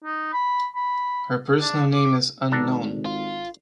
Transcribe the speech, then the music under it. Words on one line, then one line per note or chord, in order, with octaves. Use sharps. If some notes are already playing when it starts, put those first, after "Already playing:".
Her personal name is unknown.
D#4
B5
B5
D4
D6
G#1 D4 A4 A#5
F4